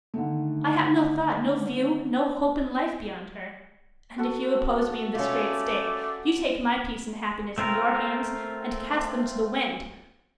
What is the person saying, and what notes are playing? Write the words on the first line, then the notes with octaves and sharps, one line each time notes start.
I have no thought, no view, no hope in life, beyond her; and if you oppose me in this great stake, you take my peace and happiness in your hands, and cast them to the wind.
D3 D#3 A3
F#4 A4
A3 C#4 F4 D5
A3 C4 F4 A#4